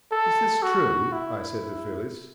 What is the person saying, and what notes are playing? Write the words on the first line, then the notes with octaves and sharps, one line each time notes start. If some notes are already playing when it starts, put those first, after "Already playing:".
"Is this true?" I said to Phyllis.
A4
F#4
E4